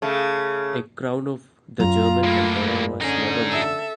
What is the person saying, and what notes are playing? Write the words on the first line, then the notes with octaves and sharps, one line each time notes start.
A Crown of the German Empire was never made.
C#3 A3
F#2 F#3 F4 A#5
A2 A3 A#3 B5
A#2
D3 C#4 D#4 G#4
A4 E5